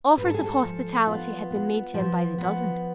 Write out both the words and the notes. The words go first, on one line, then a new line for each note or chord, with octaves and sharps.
Offers of hospitality had been made to him by the dozen.
G#2 B4
A4
G#4
A4
F3
B3 F4
B3
F3
B3